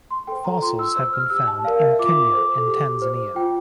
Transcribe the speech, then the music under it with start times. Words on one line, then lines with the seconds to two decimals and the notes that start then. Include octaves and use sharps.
Fossils have been found in Kenya and Tanzania.
0.11 C6
0.27 A4 C5 G5
0.45 A#5
0.61 F4 C6
0.79 E6
0.95 C5 E6
1.13 F6
1.30 G4 E6
1.47 A5
1.64 A#4 D5 F5
1.82 E5
1.99 F4 D6
2.34 A4 C5
2.68 G4
3.02 C5
3.35 F4 G5